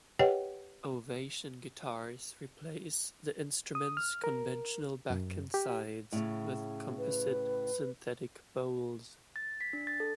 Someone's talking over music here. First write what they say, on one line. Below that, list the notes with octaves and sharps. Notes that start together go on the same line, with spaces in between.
Ovation guitars replace the instrument's conventional back and sides with composite synthetic bowls.
G4 B4 C#5 D#5 F#5 G5
D#6
F6
A#4
F#2
G4
A2 C#3
B4
A6
B6
D4
A6
A4